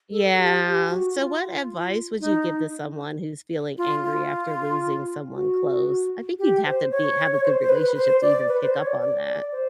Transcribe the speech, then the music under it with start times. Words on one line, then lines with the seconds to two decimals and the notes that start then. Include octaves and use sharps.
Yeah. So, what advice would you give to someone who's feeling angry after losing someone close? I think you'd have to be have a good relationship to even pick up on that.
0.11 A4
0.37 G4
0.64 G4
0.86 G4
0.90 F#4
1.16 F4
2.21 D#4
3.78 F4
4.04 F4
5.34 F#4
6.39 G4
6.66 C5
6.91 C#5
7.34 C#5
7.44 C5
7.59 C5
7.69 B4
7.95 C5
8.22 D5
8.48 B4
8.61 C5
8.74 C#5
8.86 D5
9.00 D5
9.26 D5
9.52 C5